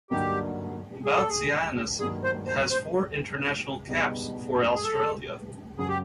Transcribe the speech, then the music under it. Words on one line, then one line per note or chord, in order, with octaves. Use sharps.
Boutsianis has four international caps for Australia.
G2 D3 F#3 A#3 D#4 G4
G#4
A4
G#4
G2 D#3 F#3 A#3 G#4
C5
C5
C5
B2 G3 B3 D#4 G#4
G#4
A4
F#2 C#3 F#3 G#4
G4